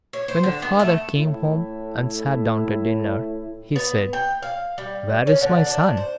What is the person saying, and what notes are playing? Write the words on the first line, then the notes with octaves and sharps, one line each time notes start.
When the father came home, and sat down to dinner, he said, "Where is my son?"
C#5
C5
D3
B3
A3
A2 E4
B3
G5
F5
G3
C#4
D3
D4
C5